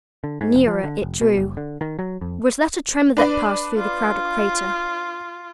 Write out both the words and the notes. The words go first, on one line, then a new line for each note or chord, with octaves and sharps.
Nearer it drew. Was that a tremor that passed through the crowded crater?
D3
G#2
F1
F3
D3
F1
B2
F#1
D3
D#3
F#3
F2
D4 B4 D5
F4